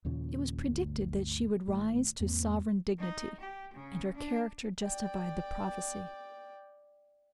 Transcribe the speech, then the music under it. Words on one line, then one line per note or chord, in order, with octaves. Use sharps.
It was predicted that she would rise to sovereign dignity; and her character justified the prophecy.
D#2 A#2 C#3 F3
G1 D2
G#1 A2
E2 G#2 A#3 C4
D#4
G4
C#3
D4
D5 G5